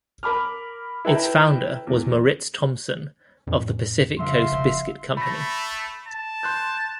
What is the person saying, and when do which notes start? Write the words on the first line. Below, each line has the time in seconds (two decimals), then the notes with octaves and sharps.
Its founder was Moritz Thomsen of the Pacific Coast Biscuit Company.
0.23 A#4 B5 D6 F6
1.05 E4 A4 B4 E5 G5 A#5
1.87 E2
3.47 F2 A2 C#4
4.19 C#3 F3 G3 E5 F5 C6
4.52 F1
5.17 A3 B5 A#6
6.07 A5
6.43 C6 F#6 G6